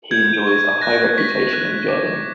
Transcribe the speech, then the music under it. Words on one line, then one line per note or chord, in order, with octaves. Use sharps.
He enjoys a high reputation in Germany.
G6 G#6
G6
C#6
C#6
F#6 A#6
F#6
C#6 B6
C#6
F#6
F#6
D6
D6